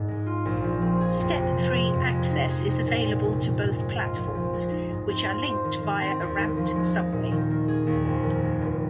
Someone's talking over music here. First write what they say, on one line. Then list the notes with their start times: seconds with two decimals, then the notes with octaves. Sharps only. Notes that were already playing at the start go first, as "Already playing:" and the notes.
Step-free access is available to both platforms, which are linked via a ramped subway.
Already playing: G#2
0.08 G#3
0.26 F4
0.45 A#1
0.64 F3
0.82 C4
1.01 G#4
1.20 F2
1.38 C3
1.56 F3
1.75 G#3
1.93 F2
2.12 G#3
2.31 D#4
2.49 G#4
2.68 C3
2.86 A#2
3.05 G#3
3.24 A#1
3.42 A#1
3.60 G#2
3.78 G#3
3.98 F4
4.15 A#1
4.35 F3
4.53 G#3
4.71 D#4
4.90 G#2
5.08 C4
5.27 F4
5.46 C5
5.64 D#3
5.83 D#3
6.01 C4
6.20 D#2
6.38 D#2
6.57 F3
6.76 G#3
6.94 D#4
7.12 A#2
7.31 D#3
7.50 A#3
7.68 G#4
7.87 D#2
8.05 F2
8.24 D#3
8.42 G#3
8.61 F1